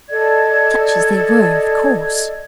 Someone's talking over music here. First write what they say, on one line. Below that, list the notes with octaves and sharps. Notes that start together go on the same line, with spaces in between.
"Such as they were, of course."
A4 D5 D#5 G#6